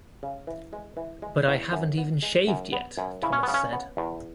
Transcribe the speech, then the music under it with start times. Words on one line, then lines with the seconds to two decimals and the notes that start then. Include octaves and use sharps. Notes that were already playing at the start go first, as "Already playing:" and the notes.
"But I haven't even shaved yet," Thomas said.
0.23 C#3
0.47 E3
0.73 G#3
0.97 E3
1.22 G#3
1.47 E2
1.72 F#2
1.98 B3
2.22 G#3
2.47 F#2
2.72 B3
2.97 F#2
3.23 C#3 E4
3.32 C#4
3.43 C#3 B3
3.54 C#4
3.73 B3
3.97 E2